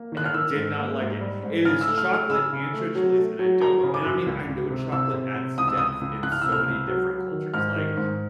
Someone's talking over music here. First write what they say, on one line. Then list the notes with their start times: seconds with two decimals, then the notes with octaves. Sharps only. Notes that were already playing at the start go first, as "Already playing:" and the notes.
and I did not like it. It is chocolate, ancho chilies and adobo, and I mean, I know chocolate adds depth in so many different cultures, like,
Already playing: A#3
0.12 D#3
0.17 F#6
0.25 F6
0.34 D#3 E6
0.55 G#2
0.78 A#3
1.00 G#2
1.21 G3
1.43 G#2
1.65 C#3 F6
1.81 E6
1.87 A3
1.98 F6
2.08 A3
2.13 F6
2.30 C#3 E6
2.53 C#3
2.73 A3
2.95 F#3
3.18 A3
3.39 F#3
3.61 F#3 A#5
3.83 C#3
3.94 D6
4.05 F#2
4.26 C#2
4.48 C#2
4.70 C3
4.92 C3 E6
5.14 C3
5.36 C3
5.58 C#2 D#6
5.68 E6
5.77 C#2 D#6
6.01 C#2
6.23 C#2 F#6
6.32 F6
6.41 C3 E6
6.52 F6
6.66 C#2
6.88 F#3
7.10 F#3
7.32 D#3
7.54 G#2 F6
7.76 D#3
7.97 G#2